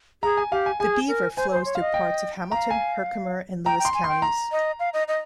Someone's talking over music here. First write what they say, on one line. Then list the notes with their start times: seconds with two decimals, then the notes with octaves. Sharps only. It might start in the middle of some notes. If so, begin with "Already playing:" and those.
The Beaver flows through parts of Hamilton, Herkimer, and Lewis counties.
0.23 G#4 A#5
0.37 G#5
0.51 G4 F5
0.66 G#5
0.79 G#4 G#5
1.08 A#4
1.37 C5 G#5
1.51 C5 C6
1.65 C#5
1.75 F5
1.80 D#5
1.94 G5
2.52 F5 A#5
2.70 G#5
3.65 G5 A#5
3.79 G5
3.85 C6
3.94 G#5
4.04 G5 C6
4.22 A#5
4.52 D#5
4.80 F5
4.94 D#5
5.08 D#5